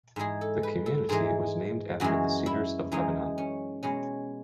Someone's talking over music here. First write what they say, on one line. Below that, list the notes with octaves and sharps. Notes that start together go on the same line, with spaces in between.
The community was named after the Cedars of Lebanon.
G#2 E3 G#3 G#4
A4
B4
A4
G#2 E3 G#3 G#4
F#2 E3 G#3 F#4
E4
F#2 E3 G#3 D#4
C#4
B2 G#3 C#4